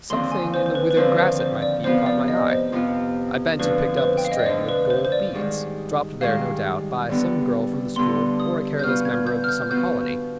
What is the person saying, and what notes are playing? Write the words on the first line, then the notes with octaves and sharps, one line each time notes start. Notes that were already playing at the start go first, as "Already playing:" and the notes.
Something in the withered grass at my feet caught my eye. I bent and picked up a string of gold beads, dropped there, no doubt, by some girl from the school or a careless member of the summer colony.
D#2 D3 F3 C4 C6
G#5
C5
C5
B4
B4
D#2 D3 F3 C4 C5
C5
C5
D5
F2 C3 F3 B3 F4 C5
D5
D#5
C5
F2 C3 F3 B3 F4
D2 D3 F3 B4
B4
C5
G5
F5
D#5
D5
D2 D3 F3 C5
B4
C5
C5
D5
G#2 D#3 G3
G#2 D#3 G3 F5
G2 D3 G3 B3
G2 D3 G3 B3 C6
D#6
G6
B2 B3 F4 F6
G#6
G6
F6
G6
B2 B3 F4 G6